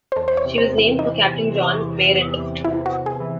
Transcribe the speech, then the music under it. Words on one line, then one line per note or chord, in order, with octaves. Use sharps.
She was named for Captain John Mayrant.
C5
E2 A4
C5
C#5
C3
C5
E2
E4
E3 D#4
E2
C3
E2
E3
E2
C3 E4
F#4
E2
G#4
E3